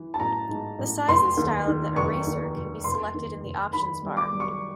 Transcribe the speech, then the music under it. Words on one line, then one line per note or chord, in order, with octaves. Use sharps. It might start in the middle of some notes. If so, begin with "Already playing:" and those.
The size and style of the eraser can be selected in the options bar.
Already playing: E3
A5
A1 A#5
G#2
A1
F1 C6
D#2
D#3
F1 C#6
D#2
F1
F1 C6
D#2
F1
D#3 B5
G3
D6
G3
C#6